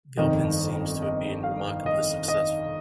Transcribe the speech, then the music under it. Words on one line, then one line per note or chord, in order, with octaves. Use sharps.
Gilpin seems to have been remarkably successful.
G1 F2 D#3 D#5
D#5
F5
D#5
D#5